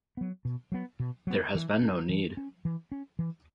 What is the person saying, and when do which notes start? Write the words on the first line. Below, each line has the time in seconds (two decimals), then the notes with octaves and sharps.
There has been no need.
0.17 F#3 B3
0.45 B2
0.72 F#3 B3
1.00 B2
1.27 F#3 B3
1.55 E3
1.82 C#4
2.09 E3
2.37 C#4
2.65 E3
2.92 C#4
3.19 E3